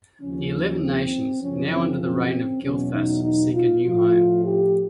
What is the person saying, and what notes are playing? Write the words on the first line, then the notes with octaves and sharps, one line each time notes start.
The elven nations, now under the reign of Gilthas, seek a new home.
D#2 C#3 F3 C#4
C4
F#2 C#3 F3 C#4
C4
C4
E2 B2 F#3 C#4
D#4
D#4
F4
A2 F3 F4
G4